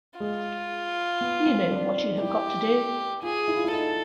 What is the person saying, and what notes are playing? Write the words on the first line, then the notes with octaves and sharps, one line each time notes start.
You know what you have got to do.
G#3 F4
B3
C4
D4
D#4
E4 G4
F4 G#4
E4
F4
E4
D#4 A4